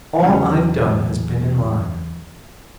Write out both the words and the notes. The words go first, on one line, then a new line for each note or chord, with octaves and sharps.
All I've done has been in line.
E2 C#3 F#3 C#4